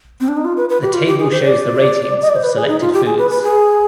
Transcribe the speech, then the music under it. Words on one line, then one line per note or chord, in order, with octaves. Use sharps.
The table shows the ratings of selected foods.
C4
D4
D#4
F4
B4
B4
G4
F4
G4
G#4
C5
D5
D#5
D5
C5
B4
G#4
D#4
F4
G4
G#4
B4
B4
G#4